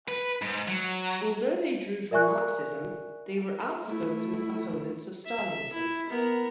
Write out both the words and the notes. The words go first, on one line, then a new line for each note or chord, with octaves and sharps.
Although they drew from Marxism, they were outspoken opponents of Stalinism.
B4
G#2
F#3
A#4 D5 E5 G#5 C#6 F#6
A3 E4
E5
E4
B3 A#4